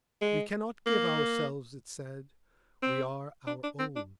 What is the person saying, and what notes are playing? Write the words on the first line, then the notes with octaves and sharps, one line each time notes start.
We cannot give ourselves, it said: we are our own.
G#3
A#3
C4
D4
D4
C4
D4